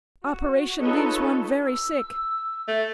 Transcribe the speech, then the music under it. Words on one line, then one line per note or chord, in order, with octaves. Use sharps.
Operation leaves one very sick.
F#4
D#4 F4 A4 B4 C#5 D#5
E6
E6
A3